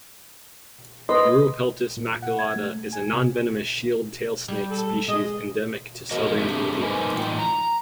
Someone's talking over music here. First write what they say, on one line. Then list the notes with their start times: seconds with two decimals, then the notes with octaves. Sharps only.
Uropeltis maculata is a nonvenomous shield tail snake species endemic to southern India.
1.09 B4 D#5 C6
1.97 A#2
2.22 F#5
2.39 G#6
2.56 A3
2.93 G#5
3.13 C3
4.48 G3
4.71 A4
5.08 G#3 D#5
6.11 E2 F#4 A#4 D#5
6.38 A3 C4 D4 G4 G#4 E5
6.79 G2 A#3 C4 D#4 B4 G#5
7.15 A2 E3 D#4 F4 G5
7.39 A#5